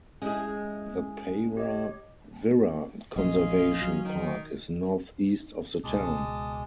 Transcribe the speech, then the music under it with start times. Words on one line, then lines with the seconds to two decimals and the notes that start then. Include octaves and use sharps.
The Para Wirra Conservation Park is north-east of the town.
0.22 G#3 C#4 E4 G#4
1.57 G4 C#5 D#5
3.16 A#1 C#4 F4 D#5
3.81 F#3
4.05 D#3
5.84 C#2 B2 G#3 A5 D6 D#6